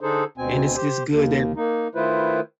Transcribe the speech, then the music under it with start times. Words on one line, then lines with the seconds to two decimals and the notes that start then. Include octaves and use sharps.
And it's just good that
0.01 D3 D4 D#4 G#4 A4 C5
0.38 D2 B2 C4 G#5
0.76 G4 C5
1.10 D#2
1.56 A#3 D#4
1.95 D#3 A3 E4 F4 B4 C5